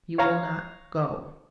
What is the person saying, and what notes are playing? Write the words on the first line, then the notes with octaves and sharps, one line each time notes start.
You will not go?'
C#5 F5 A#5